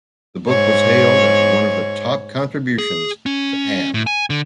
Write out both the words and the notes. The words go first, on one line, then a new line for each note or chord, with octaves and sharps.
The book was hailed as one of the top contributions to Am.
G#2 C#5
G#4
C#4
A2
G#5
D3